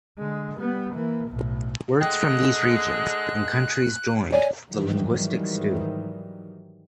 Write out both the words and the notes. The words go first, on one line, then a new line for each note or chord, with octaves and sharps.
Words from these regions and countries joined the linguistic stew.
D3 G#3
G3 B3
E3 A#3
B1 A2
D3 G#3 G5 F#6
C#5 D5 G#5
G#2 D#3 E3 F#3 G3